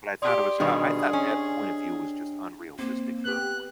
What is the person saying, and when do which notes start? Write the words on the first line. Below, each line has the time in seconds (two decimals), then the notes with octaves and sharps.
But I thought it was I I thought that point of view was just unrealistic for a point.
0.22 G4 D5 C6 D#6
0.60 B2 D#3 G3 D4 G4 G#4 D#5
1.13 C#4
2.79 A#3 C4
3.25 B3 G4 F#6